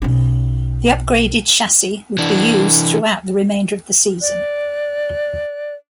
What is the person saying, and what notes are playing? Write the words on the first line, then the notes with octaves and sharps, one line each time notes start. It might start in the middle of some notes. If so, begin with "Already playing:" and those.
The upgraded chassis would be used throughout the remainder of the season.
B1 C#4
E3 D4
D5 F#6